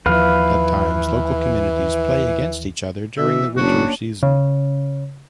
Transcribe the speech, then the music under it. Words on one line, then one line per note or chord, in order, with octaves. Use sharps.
At times, local communities play against each other during the winter season.
D#2 E3 F3 B4 F5
B2 E3 E5
F#1 A#3 C#4 D4 F#4
C#3